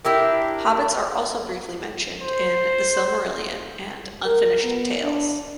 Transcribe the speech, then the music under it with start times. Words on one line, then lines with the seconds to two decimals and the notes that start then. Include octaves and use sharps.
Hobbits are also briefly mentioned in "The Silmarillion" and "Unfinished Tales".
0.05 D4 E4 G4 A#4
2.22 C5
4.25 A#4
4.64 B3
5.03 D4